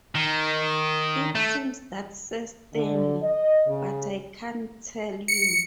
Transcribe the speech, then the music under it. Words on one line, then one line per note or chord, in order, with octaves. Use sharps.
It seems that Sir Stanley - but I can't tell you!
D#3
A3
D3
D#5
C#3
C#7